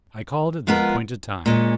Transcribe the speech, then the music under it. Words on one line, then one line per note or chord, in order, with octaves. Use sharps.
I called at the appointed time.
F3 G#3 B3 F4 A#4
A#2 G#3 C#4